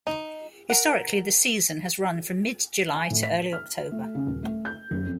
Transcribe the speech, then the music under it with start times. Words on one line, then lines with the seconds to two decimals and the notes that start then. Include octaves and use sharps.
Historically, the season has run from mid-July to early October.
0.07 D#4
0.70 A#4 F#5
2.95 G#5
3.10 A2
3.23 B6
3.53 F6
3.91 A3
4.15 C#3
4.27 D#1
4.43 A3
4.65 G6
4.91 F#1
5.06 F2